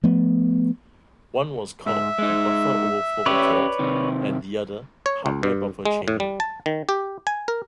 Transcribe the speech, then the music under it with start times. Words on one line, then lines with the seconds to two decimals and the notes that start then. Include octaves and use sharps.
One was called the buffer overflow interrupt and the other hardware buffer chaining.
0.04 F3 A3 B3
1.86 G#2 E5
2.18 G#3 D#4
3.26 C#4 G4 B4 C#5 D5
3.79 C3 D#3
5.06 C#5
5.26 C#2
5.43 G2
5.85 G#3
6.08 A2
6.20 G3
6.40 A5
6.66 D#3
6.89 G4
7.27 G#5
7.48 A#4